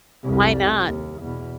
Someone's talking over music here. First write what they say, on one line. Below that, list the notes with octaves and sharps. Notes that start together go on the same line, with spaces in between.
Why not?
C2 F2
D#2
E2 B2